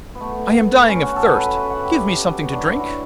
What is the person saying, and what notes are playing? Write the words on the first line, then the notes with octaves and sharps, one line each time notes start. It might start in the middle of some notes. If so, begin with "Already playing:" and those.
'I am dying of thirst; give me something to drink.'
B3
A3
C#4
F#4
A4
B4
B4
E5
F#5
G4
F#4
D4
E4
F#4